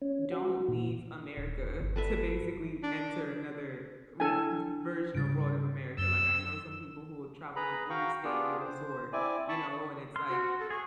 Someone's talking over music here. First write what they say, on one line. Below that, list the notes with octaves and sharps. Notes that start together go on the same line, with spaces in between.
don't leave America to basically enter another v v version of world of America, like, I know some people who will travel and only stay in the resort, you know, and it's like,
C#4
F#4
A#2
D#1
G1
A4 B4 E5
D4
D4 E4 A4 G#5
G#2 C#3 G3 A6 D7
F#2 E6 A6 G7
G#4 B4 A#5 B5
F#4 F5 G5 A#5 C#6
B3 D4 F4 G4 G#4
C5
C4 E4 D5 G#5
A5 B5 C#6
C6 F6
F#4
A4
G#4 C#6